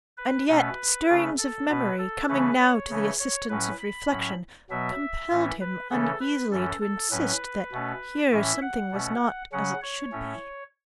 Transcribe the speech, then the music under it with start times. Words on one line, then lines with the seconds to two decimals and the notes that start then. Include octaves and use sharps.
And yet, stirrings of memory coming now to the assistance of reflection, compelled him uneasily to insist that here something was not as it should be.
0.17 B4
0.48 B2 A3 C#4 B4
1.08 C#3 A3 C#4
1.38 A4
1.68 B2 B3 B4
1.99 A4
2.29 C#3 E3 A3 C#4 B4
2.59 C#5
2.89 C#3 E3 A3 C#4
3.19 C#5
3.49 A2 F#3 C#4 B4
3.79 B5
4.10 A2 F#3 C#4
4.70 B2 F#3 B3 E5
5.30 A2 E3 A3 C#4
5.61 B4
5.91 C#3 E3 A3 C#4 A4
6.20 B4
6.51 F#2 E3 C#4 A4
6.81 A4
7.10 A2 F#3 C#4 B4
7.72 B2 A3 C#4
8.31 A2 E3 C#4 E5
8.61 F#5
8.91 B2 A3 C#4
9.52 C#3 F#3 C#4 F#5
9.82 C#5
10.12 A2 A3 C#4